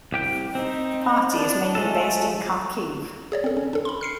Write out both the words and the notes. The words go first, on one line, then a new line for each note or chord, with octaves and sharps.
The party is mainly based in Kharkiv.
C2 G4 G5
C4 D#4
D4
G#3 A3 A4
G#4 C#5 D5
C4 A4
C#4
D4 A4
B5 C6
F6 C7 C#7